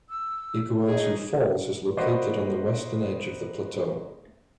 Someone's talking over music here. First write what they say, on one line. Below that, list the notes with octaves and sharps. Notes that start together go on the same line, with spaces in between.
Iguazu Falls is located on the western edge of the plateau.
E6
D#4 G#4
A#3 F#4 B4 C5 D5 D#5